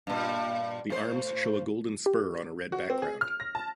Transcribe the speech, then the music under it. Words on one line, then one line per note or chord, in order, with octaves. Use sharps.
The arms show a golden spur on a red background.
G2 A#2
A2 C5
G4
F#4
C4
G#4
F6
A#6
A5